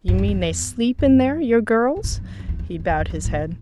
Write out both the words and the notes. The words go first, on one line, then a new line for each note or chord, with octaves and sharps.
"You mean they sleep in there,--your girls?" He bowed his head.
G2
F#2
E2
F#2
B2
A2
G2
F#2
G2
F#2
E2
E2
F#2
E2
F#2
F#2
A2